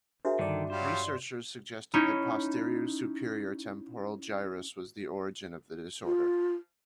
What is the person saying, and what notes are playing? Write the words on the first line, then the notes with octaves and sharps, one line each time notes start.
Researchers suggested the posterior superior temporal gyrus was the origin of the disorder.
D4 F#4 G#4 A#4 C5 E5
G2 D3 D#3 D5
F#3 G3 F4 C5
C#4 D#4 E4
F4